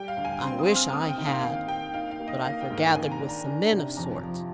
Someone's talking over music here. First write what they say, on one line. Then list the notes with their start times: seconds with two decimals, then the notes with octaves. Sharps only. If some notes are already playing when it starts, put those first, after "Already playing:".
'I wish I had; but I forgathered with some men of sorts.
Already playing: G3 G5
0.08 F5
0.17 D2
0.25 G#5
0.42 C4 C6
0.59 D#6
0.67 C4
0.75 F6
0.92 A#3 D#6
1.09 G5
1.17 D#4
1.26 F5
1.43 D#3 F5
1.68 A#3 G5
1.94 D#4 F5
2.11 F5
2.20 A#3
2.28 D#5
2.45 A#3 F5
2.61 G5
2.70 G#2
2.79 G5
2.96 D#3 G#5
3.12 A#5
3.21 D4
3.29 A#5
3.45 D4
3.72 C3
3.97 F2 A#5
4.22 F3